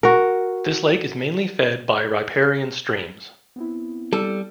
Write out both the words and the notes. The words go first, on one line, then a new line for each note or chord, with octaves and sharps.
This lake is mainly fed by riparian streams.
F#4 A#4
B3 C4 E4
G3 A4